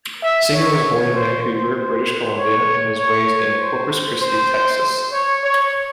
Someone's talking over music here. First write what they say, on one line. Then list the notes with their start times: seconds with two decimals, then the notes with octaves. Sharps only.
Singer was born in Vancouver, British Columbia and was raised in Corpus Christi, Texas.
0.23 E5
0.53 C#5
1.15 C5
1.45 C5
1.76 C5
2.37 C#5
2.98 C#5
3.59 C5
4.21 C5
5.12 C#5
5.43 C#5